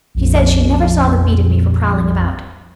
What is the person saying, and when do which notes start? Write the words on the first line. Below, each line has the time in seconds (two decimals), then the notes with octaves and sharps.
She said she never saw the beat of me for prowling about.
0.15 A#1 F2